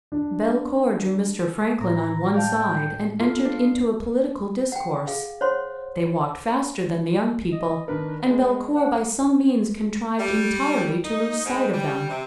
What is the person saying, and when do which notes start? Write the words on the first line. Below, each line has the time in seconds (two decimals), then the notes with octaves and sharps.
Belcour drew Mr. Franklin on one side and entered into a political discourse: they walked faster than the young people, and Belcour by some means contrived entirely to lose sight of them.
0.12 D4
1.81 A2 A#5
2.34 D5 F5 G5 A5
3.20 A3 B3 F4 F5
3.45 D4
4.72 F#5 G5
5.08 G#4 F5
5.41 C5 C#5 F#5 C6
7.52 D#5
7.88 D#3 D4 A#4 B4
8.27 G#3 B4
8.76 F#5
10.19 G3
11.03 D#4
11.45 G#2
11.72 G3
12.09 C3